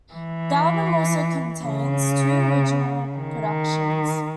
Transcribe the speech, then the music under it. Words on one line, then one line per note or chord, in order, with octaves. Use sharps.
The album also contains two original productions.
E3
C#3
D#3